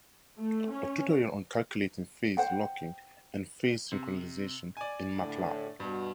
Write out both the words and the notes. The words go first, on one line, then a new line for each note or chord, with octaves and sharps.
A tutorial on calculating Phase locking and Phase synchronization in Matlab.
A3
C#4
C5 F#5 G5
C3
D5 G#5
A2 D3
G2 B2